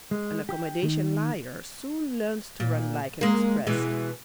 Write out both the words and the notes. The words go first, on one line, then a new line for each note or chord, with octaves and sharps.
An accommodation liar soon learns to run like an express.
G#3
G4
D#3
A#2
G#3 A#3
B2 E3 G#3